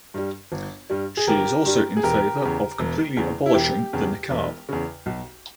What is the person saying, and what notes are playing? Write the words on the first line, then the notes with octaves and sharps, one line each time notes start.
She is also in favor of completely abolishing the niqab.
G2 G3
G1
G2 G3
G#4
G1 G4 A#4
G2 G3
G#4
E1 G4 A#4
E2 C#3
E1
E2 C#3
E4
E1 G4
E2 C#3
E1
E2 C#3
B1